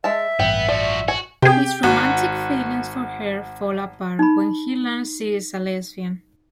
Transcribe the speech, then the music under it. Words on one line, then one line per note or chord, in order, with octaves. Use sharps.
His romantic feelings for her fall apart when he learns she is a lesbian.
G#3 E5 A5
A1 G2 B3 G5
F3 F#4 D5
F#4 G#5
C3 G4 G#4 G5
G#1 F#4
D#4 B5